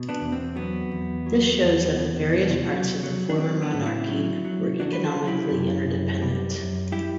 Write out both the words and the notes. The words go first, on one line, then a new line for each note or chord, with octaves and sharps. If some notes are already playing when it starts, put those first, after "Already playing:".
This shows that the various parts of the former monarchy were economically interdependent.
Already playing: B2
B3 D4
E2
C4
F#3 B3
E2
F#3
E2
E2
B2
F#3
F#3
D4
F#3 C4
B3 D4
A2
F#4
C4 E4
F#3
F#3
F#3 D4 F#4
B4
A4 C5
F#3
E4 G4
F#2
F#2
G3
F#2
G3 E4 G4